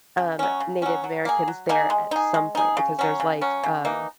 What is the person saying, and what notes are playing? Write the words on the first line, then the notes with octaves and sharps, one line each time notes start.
um, Native Americans there at some point, because there's, like, um,
C#3
F#3 C#4
C#3
F#3 C#4
F#3
A#3 D#4 G#4
F#3
A#3 D#4 G#4
G#3
D#4 G#4
G#3
D#4 G#4
C#3
F#3 C#4
C#3
F#3 C#4
C#3
E3 A#3 D#4